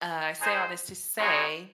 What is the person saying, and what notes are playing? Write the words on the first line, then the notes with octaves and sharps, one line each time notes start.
I say all this to say,
G#3 D#4 G#4 C5
G#3 C4 D#4 F#4 C#5